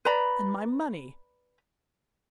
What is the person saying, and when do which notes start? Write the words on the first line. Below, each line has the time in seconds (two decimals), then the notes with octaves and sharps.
And my money!
0.05 B4 D5 A#5 B5